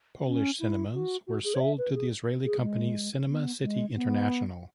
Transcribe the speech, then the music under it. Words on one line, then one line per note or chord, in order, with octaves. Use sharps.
Polish cinemas were sold to the Israeli company Cinema City International.
C#4
E4
F#4
F#4
G#4
C#5
E5
B4
G#4
G#4
G#3
B3
G#3
B3